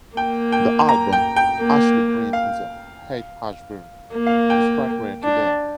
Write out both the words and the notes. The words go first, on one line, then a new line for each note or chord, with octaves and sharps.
The album, "Ashleigh Brilliant in the Haight-Ashbury", is quite rare today.
A#3 G5
G5
A#5
G5
G5
A#3
F5
A#3
F5
G5
D4